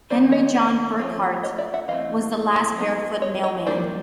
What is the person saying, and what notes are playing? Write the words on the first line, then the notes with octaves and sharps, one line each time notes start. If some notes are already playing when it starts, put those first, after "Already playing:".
Henry John Burkhardt was the last barefoot mailmen.
D#3 G#3 C4 C5 D5
C#5 D#5
C5 D5
F3 A3 C#4
C#5 D#5
D5 E5
E5 F#5
E3 A3 C4 D#5 F5
F#3 B3 D#4
C#5 D#5
C#5 D#5
G3 A#3 D4 C5 D5